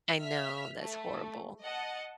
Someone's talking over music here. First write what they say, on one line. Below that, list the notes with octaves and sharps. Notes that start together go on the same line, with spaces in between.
I know, that's horrible.
E5 F6 B6
A3
D#5 F#5 A5